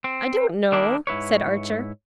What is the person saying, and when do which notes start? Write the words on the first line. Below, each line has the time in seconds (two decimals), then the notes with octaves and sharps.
"I don't know," said Archer.
0.04 C4
0.72 D#3 G3 A#3 D4 E4
1.07 G#2 E4 B4 C#5